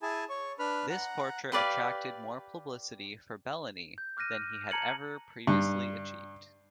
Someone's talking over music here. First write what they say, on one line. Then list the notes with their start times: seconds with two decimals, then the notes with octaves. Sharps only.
This portrait attracted more publicity for Bellany than he had ever previously achieved.
0.02 E4 G#4 G#5 A5
0.29 C#5 C#6
0.59 D4 B4 B5 F6
0.90 F#5 A#5
1.52 G4 B4 D5 F5
3.98 G6
4.17 D6 F6 F#6 A#6 D#7
4.71 A5 A#5 G#6 C#7 F#7
5.47 G2